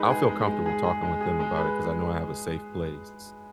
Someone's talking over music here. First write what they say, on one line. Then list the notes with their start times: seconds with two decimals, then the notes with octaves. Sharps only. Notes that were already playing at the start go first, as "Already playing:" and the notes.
I'll feel comfortable talking with them about it 'cause I know I have a safe place.
Already playing: G#3 D#4 B4
0.10 G#4
0.29 G#3
0.47 G#3
0.66 G#4
0.84 G#4
1.03 G#3
1.21 G#4
1.40 G#3
1.57 B4